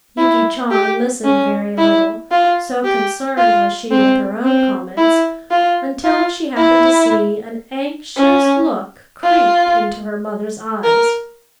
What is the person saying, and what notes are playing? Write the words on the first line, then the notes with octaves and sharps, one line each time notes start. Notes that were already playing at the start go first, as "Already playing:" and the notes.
Yuki Chan listened very little, so concerned was she with her own comments, until she happened to see an anxious look creep into her mother's eyes.
E4
G4
C#4
E4
F4
G4
F4
C4
C4
E4
F4
F4
E4
C#4
F4
A#4